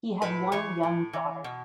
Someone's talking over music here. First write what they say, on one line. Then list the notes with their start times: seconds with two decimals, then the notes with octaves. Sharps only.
He had one young daughter.
0.22 A2 B4
0.52 E3 C#5
0.83 A2
1.13 E3
1.44 B2